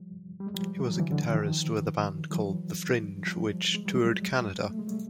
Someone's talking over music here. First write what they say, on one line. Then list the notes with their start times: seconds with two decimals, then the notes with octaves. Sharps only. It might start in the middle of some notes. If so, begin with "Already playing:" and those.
He was a guitarist with a band called "The Fringe", which toured Canada.
Already playing: F3 G3
0.40 G3
0.47 G#3
0.55 F3 G3
0.87 E3 F#3
0.99 D3 E3
1.12 D3
1.24 D#3
1.35 D#3 F3
2.31 E3 F#3
3.26 F3 G3
3.75 G#3
3.86 G3
3.96 F#3 G#3
4.70 A3
4.79 G#3
4.87 G3 A3